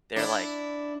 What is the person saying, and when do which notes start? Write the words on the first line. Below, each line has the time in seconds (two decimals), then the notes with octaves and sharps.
they're like,
0.16 D4 E4